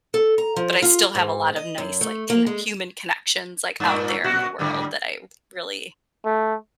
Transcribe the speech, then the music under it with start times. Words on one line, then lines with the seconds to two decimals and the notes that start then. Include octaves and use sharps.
But I still have a lot of nice like, connec human connections, like, out there in the world that I really
0.14 A4
0.38 A#5
0.56 F3
0.82 F4
1.15 G#2
1.56 D#5
1.78 F#2
2.01 A3
2.30 A#3
2.46 G#3
3.80 G2 A#2
4.24 A#2 F#4
4.59 G#2 D3 G3
6.25 A3